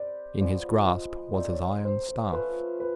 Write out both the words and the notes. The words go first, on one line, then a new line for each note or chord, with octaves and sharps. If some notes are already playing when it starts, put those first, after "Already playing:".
In his grasp was his iron staff.
Already playing: C4 G4 B4 D5
F3 G#3 B3 D5
D#5
A3 C4 D#4 D5
D5
C#5
C5
C5
F3 A3 C#4 F4 B4
B4